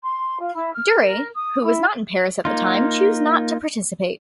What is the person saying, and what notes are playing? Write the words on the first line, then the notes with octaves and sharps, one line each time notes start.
Durey, who was not in Paris at the time, chose not to participate.
C6
F4
E4
F6
A#4
D#6
E4
A#3 D#4 F4